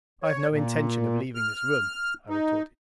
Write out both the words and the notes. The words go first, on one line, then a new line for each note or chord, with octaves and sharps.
"I have no intention of leaving this room," I retorted.
C#5
A#2
F6
D#4